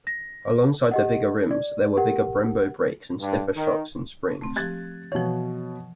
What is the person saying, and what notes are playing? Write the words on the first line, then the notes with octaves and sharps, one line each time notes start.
Alongside the bigger rims, there were bigger Brembo brakes and stiffer shocks and springs.
A#6
G4 D#5 F#5
D5
G4 A#4 F#5
G2
D#3
A3 C4
F3 G4 F#6 G#6 A6
B2 E3 F3 C#5